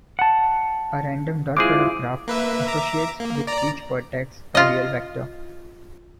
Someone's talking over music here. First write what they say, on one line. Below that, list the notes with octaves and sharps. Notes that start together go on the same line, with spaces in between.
A random dot-product graph associates with each vertex a real vector.
F#5 A5
G#3 C4 E4 F4 G#4 D6
A#3 B4 E5
E5 A#5 D6
A#3
D5 A#5
F4 D#5